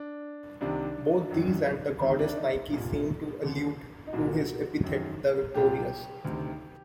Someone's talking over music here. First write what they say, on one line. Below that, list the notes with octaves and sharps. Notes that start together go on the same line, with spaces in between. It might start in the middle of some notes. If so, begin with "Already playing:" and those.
Both these and the goddess Nike seem to allude to his epithet "the Victorious".
Already playing: D4
C2 C3 D#3 D4
F#2 D#3
D2 C3 D#3 C4
D4
D#4
C2 A#2
D#2 D3
D#4
C2 A#2 F#4
F#2 D#3
C2 A#2 G4
D2 C3 D#3